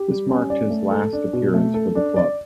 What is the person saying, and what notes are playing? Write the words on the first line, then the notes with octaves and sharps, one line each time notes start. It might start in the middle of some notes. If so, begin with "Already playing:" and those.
This marked his last appearance for the club.
Already playing: G4
G3
C#4
D5
A3
A4
D4
B2
A3
A4
D4
D5